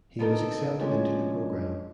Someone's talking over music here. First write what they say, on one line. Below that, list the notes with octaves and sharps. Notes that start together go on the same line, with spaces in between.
He was accepted into the program.
B3 C4 D4 D#4 A4 A#4
F3 G#3 C#4 D4